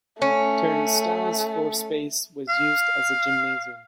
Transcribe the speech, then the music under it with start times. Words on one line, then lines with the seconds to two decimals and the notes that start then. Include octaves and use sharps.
Turn Style's floor space was used as a gymnasium.
0.22 A3 C#4
2.49 F5